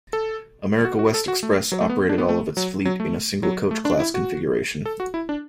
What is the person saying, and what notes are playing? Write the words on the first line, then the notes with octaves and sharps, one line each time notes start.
America West Express operated all of its fleet in a single coach class configuration.
A4
F#4
F#4
A4
F#4
A3
F#3
A3
B3
D4
B3
A3
F#3
F#3
A3
F#3
A3
D4
E4
F#4
A4
F#4
E4
D4